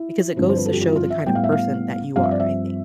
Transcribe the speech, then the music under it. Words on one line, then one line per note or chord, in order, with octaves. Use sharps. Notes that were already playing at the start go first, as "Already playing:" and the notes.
because it goes to show the kind of person that you are, I think.
Already playing: E4
G2 D3 F3 C4
C5
B4
A4
G4
F4
E4
F4
E5
A2 G3 B3 G5
F5
E5
F5
G2 F3 C4 F5
E5
D5
E5